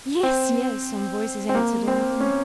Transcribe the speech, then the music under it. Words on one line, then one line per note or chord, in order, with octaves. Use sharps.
"Yes, yes!" some voices answered, laughing.
C4
C4
A#3
C4
C#4